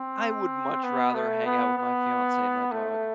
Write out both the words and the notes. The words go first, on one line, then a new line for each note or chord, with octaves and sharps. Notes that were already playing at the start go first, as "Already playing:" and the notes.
I would much rather hang out with my fiancé and my dog.
Already playing: C4
B3
A3
B3
B3
A3